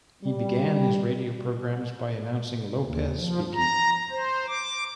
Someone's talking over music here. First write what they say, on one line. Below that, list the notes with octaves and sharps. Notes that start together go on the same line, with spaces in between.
He began his radio programs by announcing Lopez speaking!
G3
D#2
F3
A#5
C5
D6